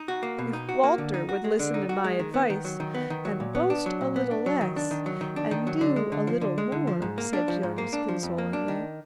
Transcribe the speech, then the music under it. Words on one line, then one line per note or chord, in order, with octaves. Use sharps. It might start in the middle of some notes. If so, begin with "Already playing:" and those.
'If Walter would listen to my advice, and boast a little less, and do a little more,' said Jonas, consolingly.
Already playing: D#4
F#4
A#3
B2
D#4
F#4
A#3
D3
D#4
F#4
G#3
D3
D#4
F#4
G#3
D#3
B3
D#3
F#3
D#3
B3
D#3
F#3
A#2
B3
D4
F#3
A#2
B3
D4
F#3
D#3
D4
D#3
F#3
D#3
D4
D#3
F#3
D3
G#3
D3
F3
D3
G#3
D3
F3
G#2
A#3
D4
F3
G#2
A#3
D4
F3
F2
A#3
D4
D#3